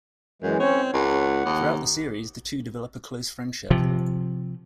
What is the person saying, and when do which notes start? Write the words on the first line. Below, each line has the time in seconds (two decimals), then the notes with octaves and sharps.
Throughout the series the two develop a close friendship.
0.42 F#2 E3 G#3
0.60 C4 C#4 C#5
0.93 C#2 F#5
1.45 D#2
3.70 C3 F3